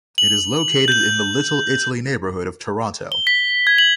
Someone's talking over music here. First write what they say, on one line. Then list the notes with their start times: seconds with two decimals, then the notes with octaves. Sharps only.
It is located in the Little Italy neighbourhood of Toronto.
0.18 F#7
0.88 G6 F#7
3.12 G7
3.27 B6
3.67 G#6
3.78 F#7